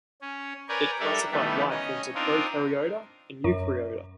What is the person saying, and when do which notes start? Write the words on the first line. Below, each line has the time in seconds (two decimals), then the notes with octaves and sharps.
It classified life into Prokaryota and Eukaryota.
0.22 C#4
0.69 A#4 B4 C#5 D5 G5 G#5
1.00 G3 D4 A4 A#4 D5 E5
1.32 D#3 E3 G3 A3 B3
1.70 C#4 D#5
2.15 C4 D4 D#4 F4 A#4
3.44 F#2